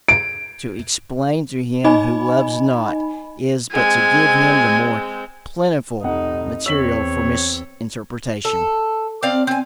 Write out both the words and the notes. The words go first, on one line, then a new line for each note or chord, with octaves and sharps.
To explain to him who loves not, is but to give him the more plentiful material for misinterpretation.
D7
D#4 D#5 G#5 B5
G#3 C4 G#5
F1 D#4 F#5
E2 C4 C#5 E6 B6 F#7
A4
C4 D5 F5
C4 G#5